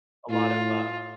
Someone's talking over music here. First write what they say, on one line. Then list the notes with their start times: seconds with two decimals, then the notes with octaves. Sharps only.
a lot of uh,
0.30 A2 F4